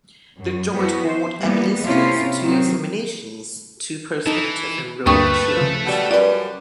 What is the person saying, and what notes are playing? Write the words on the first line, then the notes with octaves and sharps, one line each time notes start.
The Joint Board administers two examinations to prospective Enrolled Actuaries.
F#2
F3 B3 E4 F#4
C5
G3 A#3 B3
C3 A#3 C4 C#4 E4 F4
D#3 F#3 C4
E3 D#4 A4
D2 G2 A3 A#3 B4 G5 C#6 D#6
C#3 F3
B2 F#3 G3
F#2 G3 F4 B4 D5